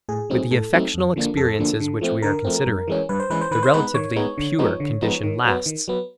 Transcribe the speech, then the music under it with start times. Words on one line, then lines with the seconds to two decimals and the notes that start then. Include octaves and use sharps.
With the affectional experiences which we are considering, the relatively 'pure' condition lasts.
0.09 A2 G#4
0.30 F#3 A3 C4 D#4
0.51 A2 A4
0.73 F#3 A3 C4 D#4
0.94 F2
1.16 D3 F3 A#3 D4
1.37 F2 A4
1.59 D3 F3 A#3 D4
1.80 D3
2.01 F3 A3 C4
2.22 D3 A#4
2.44 F3 A3 C4
2.66 G2
2.88 E3 G#3 C#4
3.09 G2 B4
3.20 C5
3.30 E3 G#3 C#4 B4
3.41 C5
3.51 D#3 B4
3.63 C5
3.74 G#3 B3 D#4 B4
3.94 D#3 C#5
4.16 G#3 B3 D#4
4.38 D3
4.59 F3 G#3 B3 D#4
4.80 D3
5.02 F3 G#3 B3 D#4
5.23 D#3
5.45 F#3 B3
5.66 D#3
5.88 F#3 B3